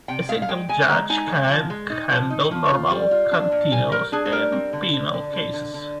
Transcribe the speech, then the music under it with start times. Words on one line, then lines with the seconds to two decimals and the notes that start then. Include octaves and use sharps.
A single judge can handle normal contentious and penal cases.
0.08 C3 G5
0.29 G#3 F5
0.42 F5
0.49 G#3 G5
0.69 G#3 G#5
0.89 G#3 A#5
1.09 D#4 G#5
1.29 G#3
1.50 F3
1.70 G#3
1.90 D#4
2.11 F3
2.30 D#4
2.51 F3
2.71 F4
2.91 G3
3.11 F4
3.32 D4
3.52 A#2
3.72 G3 G#5
3.92 G3 A#4
4.12 D4 G#4
4.25 G#4
4.32 G3 A#4
4.52 C4
4.73 D3
4.93 D3
5.13 D3
5.33 D3
5.53 D3
5.74 D3